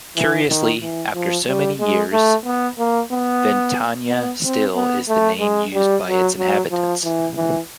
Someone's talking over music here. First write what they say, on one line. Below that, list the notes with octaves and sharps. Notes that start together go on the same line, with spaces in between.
Curiously, after so many years, Ventania still is the name used by its inhabitants.
E3
D#3
E3
F3
G3
G#3
A3
B3
A#3
B3
B3
C4
B3
A3
G#3
G3
F#3
F#3
F3
E3
E3